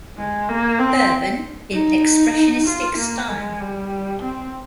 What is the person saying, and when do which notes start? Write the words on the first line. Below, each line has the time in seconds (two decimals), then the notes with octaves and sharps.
Berben in expressionistic style.
0.17 G#3
0.49 A#3
0.79 C4
1.73 D#4
2.66 F4
2.98 A#3
3.29 G#3
3.60 G3
4.22 C4